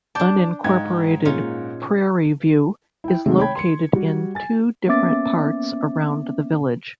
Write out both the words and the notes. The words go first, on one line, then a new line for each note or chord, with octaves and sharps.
Unincorporated Prairie View is located in two different parts around the village.
D4 D5 A5 G6
G#2 D#4 F5 G5 G#6
A#2 G#3 C#4 D#4 F4
E4 G5
C3 D#3 G#3 A3 C4
C#5 G5 B5 G#6
C6 C#7
G3 F#4
G#5 A6
A#3 B3 C#4 E5 D6 A6